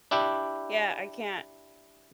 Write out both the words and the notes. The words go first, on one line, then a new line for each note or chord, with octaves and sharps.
yeah I can't,"
D4 E4 G4